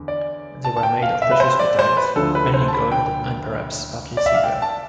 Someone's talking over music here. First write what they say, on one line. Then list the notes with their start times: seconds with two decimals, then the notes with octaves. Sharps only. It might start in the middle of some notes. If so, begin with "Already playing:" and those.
They were made of precious metals, mainly gold and perhaps partly silver.
Already playing: E2 D3
0.08 D5
0.64 A5
0.77 A5
0.83 G5
1.02 F5
1.22 E5
1.31 B4
1.40 C5
1.59 D5
1.79 C5
1.97 B4
2.16 D2 D3 F3 A4
2.35 B4
2.54 C5
2.68 A5
2.73 B5
2.92 G5
4.17 D5
4.26 E5
4.35 F5
4.44 G5
4.62 A5